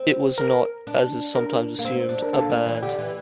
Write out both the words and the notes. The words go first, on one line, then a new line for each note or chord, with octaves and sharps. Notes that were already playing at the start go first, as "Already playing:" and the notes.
It was not, as is sometimes assumed, a band.
Already playing: C4
A#4
D4
A#4
A#3
C4
D4
A#4
A#3 A4
G3
E3
D3 G4
E3